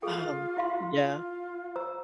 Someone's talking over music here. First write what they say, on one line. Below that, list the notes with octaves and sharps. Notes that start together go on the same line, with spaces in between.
um, yeah.
F4 G#4 A4 G5
E4 F5 C6
F4
C5 A#5 E6